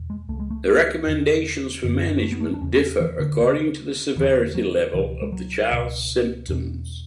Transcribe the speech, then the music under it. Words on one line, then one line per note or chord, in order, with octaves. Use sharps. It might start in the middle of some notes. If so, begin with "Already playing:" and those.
The recommendations for management differ according to the severity level of the child's symptoms.
Already playing: E2 B2
G#3
C#2 C#3 A3
G#3
A3
E2 D3
F#2 D3
A3
B3
A3
D4
E2 C#3 C#4
C#4
E3
D3
D2 C#3
E2 D3 E3
F#3
C#2 B2 E3
G#3
F#3
C#2 B2
E2 B2